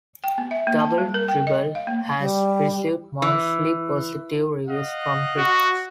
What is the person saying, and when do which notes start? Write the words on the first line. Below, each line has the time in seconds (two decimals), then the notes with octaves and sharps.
"Double Dribble" has received mostly positive reviews from critics.
0.24 G5
0.38 B3
0.51 E5
0.67 A#3
0.80 A5
0.98 G3
1.14 A#4
1.28 G5
1.47 D#5
1.75 F5
1.87 A#3
2.19 G3
3.22 E3
4.68 D#5 F5 F#5
5.38 F#4